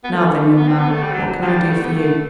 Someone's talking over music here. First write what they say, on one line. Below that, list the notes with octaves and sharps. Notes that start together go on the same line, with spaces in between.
"Now then, young man, what can I do for you?"
B3
A3
B3
C4
B3
A3
G3
F#3
F#3
G3
A3
B3
A3